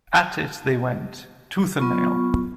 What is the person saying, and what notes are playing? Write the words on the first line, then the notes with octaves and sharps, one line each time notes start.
At it they went, tooth and nail.
F#3 B3 F4 C#6